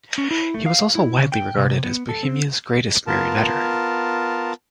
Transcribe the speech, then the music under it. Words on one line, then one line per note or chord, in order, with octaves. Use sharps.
He was also widely regarded as Bohemia's greatest marionnetter.
C#4
E4
A3
F5
E4
C#3
G5
C3
B3
A4
C4
B3 F4 A#4 A5